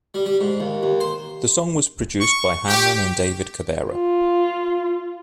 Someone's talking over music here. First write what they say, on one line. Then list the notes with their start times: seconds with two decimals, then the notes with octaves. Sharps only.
The song was produced by Hanlon and David Cabera.
0.14 G3
0.26 G3
0.41 G#2
0.60 D#2
0.83 D#2
1.00 C5
2.21 C#6
2.68 G4
3.92 F4